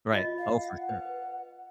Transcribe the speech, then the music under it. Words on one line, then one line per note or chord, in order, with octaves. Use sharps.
Right. Oh, for sure.
F4 D#5
F5
F#5
B4